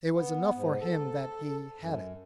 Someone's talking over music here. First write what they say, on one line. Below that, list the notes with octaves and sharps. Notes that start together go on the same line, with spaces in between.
It was enough for him that he had it.
B3
G#2
A4
F#2